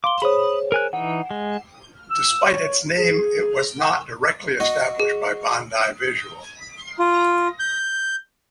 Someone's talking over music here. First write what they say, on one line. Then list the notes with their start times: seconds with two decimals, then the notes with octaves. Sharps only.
Despite its name it was not directly established by Bandai Visual.
0.04 F5 C6 D6 G7
0.22 G#4 C5 C#5 B5 D#6
0.72 A#4 G#5 F#6
0.93 E3 D#4 F#5
1.31 G#3
2.10 E6
2.44 C#5
2.98 G#4
3.80 F#5
4.60 F#4 D#5
5.00 G#4
6.99 F4
7.59 G6